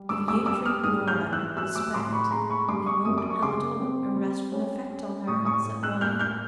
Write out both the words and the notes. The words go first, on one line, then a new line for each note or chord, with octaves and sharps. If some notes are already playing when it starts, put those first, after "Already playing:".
"If you treat Norah with respect it won't have at all a restful effect on her," said Wally.
Already playing: G3
G2 D6 E6
D6 E6
G3 D6 E6
D#6 F6
G#2 D#6 F6
F6 G6
E3
E6 F#6
F#3 E6 F#6
D6 E6
A2 C6 D6
B5 C#6
G#3 A#5 C6
B5 C#6
G2 C6 D6
C#6 D#6
F#2 D#6
D6
C#6
C#3 C6 D6
C4
G3
C#4
C#4
A2 C#6 D#6
C#6 D#6
A2
E6 F#6
A#3 F6 G6
F6 G6